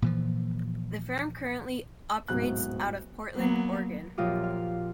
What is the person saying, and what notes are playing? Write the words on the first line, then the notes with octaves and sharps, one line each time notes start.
The firm currently operates out of Portland, Oregon.
A#2 E3 F3
D1 G#2 B2 F#6
F#3 A#3 B3
F#2 A#2 F3 F4 G4 D#6
F5